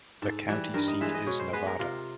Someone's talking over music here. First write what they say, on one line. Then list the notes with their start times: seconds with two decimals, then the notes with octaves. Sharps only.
The county seat is Nevada.
0.22 G#2 A4
0.49 E3 G3
0.74 G2 A#4
0.88 D#5
1.01 E3 G#3 B3 E5
1.14 D#5
1.27 B2 C#5
1.40 C5
1.53 G#3 B3 B4
1.67 A#4
1.79 C3 F4